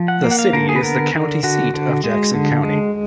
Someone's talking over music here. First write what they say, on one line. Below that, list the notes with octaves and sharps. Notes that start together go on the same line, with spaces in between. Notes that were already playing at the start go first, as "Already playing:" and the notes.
The city is the county seat of Jackson County.
Already playing: F3
F#5
A#3
F#5
F5
D3 A#4
G#4
B4
B3 A#4
D3
D3 F#4
D3
G#3
D3
G#3